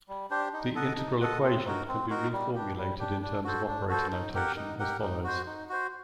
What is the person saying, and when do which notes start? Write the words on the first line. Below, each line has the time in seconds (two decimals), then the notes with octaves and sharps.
The integral equation can be reformulated in terms of operator notation as follows.
0.08 G3
0.30 D4 G4 C5
0.53 D#4
0.75 A4 D#5 F#5
0.98 D#4
1.21 A4 D#5 F#5
1.42 C4
1.65 D#4 F#4 A#4
1.88 C4
2.10 D#4 F#4 A#4
2.32 G3
2.55 D4 G4
2.77 G3
2.99 D4 G4
3.22 D4
3.44 F#4 A4 C5
3.67 D4
3.89 F#4 A4 C5
4.12 D#4
4.35 G4 A#4 F#5
4.57 D#4
4.79 G4 A#4 F#5
5.02 D#4
5.24 F#4 C5
5.46 D#4
5.69 F#4 C5